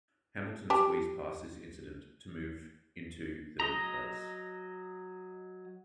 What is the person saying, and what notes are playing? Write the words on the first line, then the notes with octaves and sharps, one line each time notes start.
Hamilton squeezed past this incident to move into third place.
G4 G5 A5
F#3 D#5 A#5